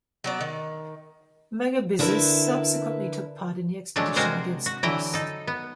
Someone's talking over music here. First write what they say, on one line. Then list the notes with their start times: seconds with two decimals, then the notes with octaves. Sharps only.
Megabyzus subsequently took part in the expedition against Greece.
0.24 F#3 B3 D5
0.41 D#3
1.99 D3 E4 A#4 B4 D5 E5
3.96 F#3 G#3 A3 D4
4.16 C3 G#3 F#4 A#4 C5
4.66 F#4
4.83 D3 E3 F#3 E4 G5 A#5
5.14 D#4 A4
5.47 B3